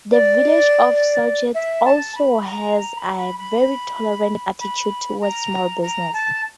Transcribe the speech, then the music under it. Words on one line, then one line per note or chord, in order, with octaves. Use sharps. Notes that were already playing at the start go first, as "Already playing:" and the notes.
The Village of Sauget also has a very tolerant attitude toward small business.
D5
E5
A5
B5
A#5
A#5
B5
B5
B5
B5
A#5
A#5
A5